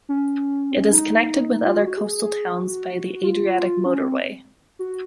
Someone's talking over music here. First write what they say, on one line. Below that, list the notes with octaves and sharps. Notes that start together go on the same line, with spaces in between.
It is connected with other coastal towns by the Adriatic Motorway.
C#4
C4
C#4
D#4
F4
F#4
G#4
F#4
F4
C#4
C4
F#4